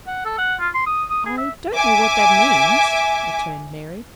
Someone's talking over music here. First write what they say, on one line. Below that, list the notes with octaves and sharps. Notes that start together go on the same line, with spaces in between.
"I don't know what that means," returned Mary.
F#5
A4
F#5
F4
C6
D#6
D#6
G#4
E5
E5 G#5 D6